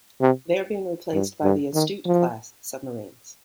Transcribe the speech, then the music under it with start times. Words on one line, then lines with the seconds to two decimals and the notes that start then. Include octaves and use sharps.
They are being replaced by the "Astute"-class submarines.
0.21 C3
1.14 G2
1.44 G2
1.74 D#3
2.06 F3